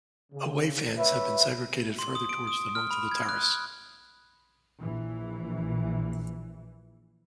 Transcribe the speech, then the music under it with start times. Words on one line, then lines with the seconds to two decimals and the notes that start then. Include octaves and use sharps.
Away fans have been segregated further towards the north of the terrace.
0.32 C#3
0.98 B4 C#5 E5
1.99 C6
2.15 D#6
2.29 D7
2.47 D#6
2.75 F6
2.91 B5
3.11 G#6
3.29 F#6
4.79 A#1 E3